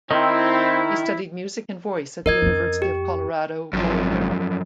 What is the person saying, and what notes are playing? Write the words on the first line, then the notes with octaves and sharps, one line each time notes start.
He studied music and voice at the University of Colorado Boulder.
D#3 C4 D#4 E4
B3 E4 A#4 D#5 G#6
F2 C#4
G4
G#1 F#2 F3